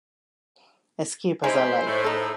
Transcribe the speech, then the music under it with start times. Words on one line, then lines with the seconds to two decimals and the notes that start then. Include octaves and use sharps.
Escape as I like.
1.44 E3 G#3 C4 D#4 E4 G4 C5
1.87 A2
2.04 D#4 A4